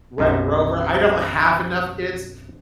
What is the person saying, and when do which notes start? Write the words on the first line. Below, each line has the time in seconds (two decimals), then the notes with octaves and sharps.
Red Rover, I don't have enough kids
0.18 B1 F#2 C3 D#4 E5